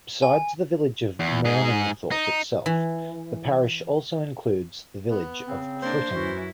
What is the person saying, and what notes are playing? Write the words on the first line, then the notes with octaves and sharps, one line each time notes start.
Besides the village of Morningthorpe itself, the parish also includes the village of Fritton.
G#5
E2
G#2 G#4
D#4
E3
B3
C#3 C4
A#3 D4 C5
F#2 E3 C#4 E4 F#4